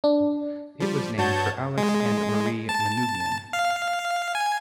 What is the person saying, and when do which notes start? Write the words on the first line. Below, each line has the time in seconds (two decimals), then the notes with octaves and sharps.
It was named for Alex and Marie Manoogian.
0.04 D4
0.80 F3 G3
1.18 G2 F#4 C#5 A5 G6
1.77 G#3
2.69 A5
3.53 F5
4.35 G#5